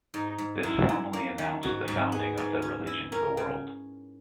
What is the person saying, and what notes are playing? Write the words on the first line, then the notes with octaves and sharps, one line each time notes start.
This formally announced the founding of the religion to the world.
G#2 D#4
G#2
F#2 E4
F#2
A#3
D#3
G#2 F#4
G#2
B3 G#4
G#2
C#4
E4
C#4 A#4
C#3